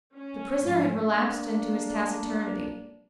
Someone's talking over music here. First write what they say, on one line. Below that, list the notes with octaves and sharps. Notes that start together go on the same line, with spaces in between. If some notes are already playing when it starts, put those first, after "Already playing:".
The prisoner had relapsed into his taciturnity.
C#4
G#2 F3 F#3
A#3 D4